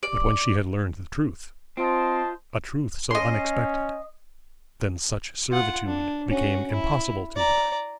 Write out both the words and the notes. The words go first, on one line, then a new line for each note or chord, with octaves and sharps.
But when she had learned the truth,--a truth so unexpected,--then such servitude became impossible to her.
D5
C4 F4 C5 D#5 A5
C#4 D#5 C6
F4 F#5
D4
C#4 F#4
E4
D5 A#5